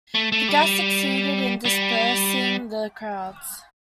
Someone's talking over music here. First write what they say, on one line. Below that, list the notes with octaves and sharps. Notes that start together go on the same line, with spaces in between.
The gas succeeded in dispersing the crowds.
A3
A3
G3
G3